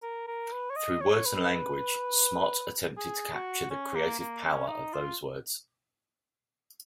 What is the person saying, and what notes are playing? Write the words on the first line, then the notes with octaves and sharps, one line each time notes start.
Through words and language, Smart attempted to capture the creative power of those words.
A#4
A#4
B4
C#5
D#5
C#5
B4
G#4
F#4
C#4
A#3
A#3
C#4
D#4
F4